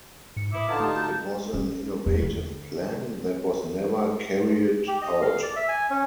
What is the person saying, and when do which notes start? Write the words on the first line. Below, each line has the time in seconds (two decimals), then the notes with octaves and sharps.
It was an innovative plan that was never carried out.
0.36 G#2 C#7
0.53 A2 E4 B4 D6 D#6
0.69 D3 D#4 F4 F#5 A5 G#6
0.80 A3 G4 D#6
0.96 F#4 G6
1.54 C#4
2.06 E2
2.22 D3
4.88 G4
5.02 D#5
5.22 F5
5.42 D5
5.56 E5
5.68 G#5
5.90 C#4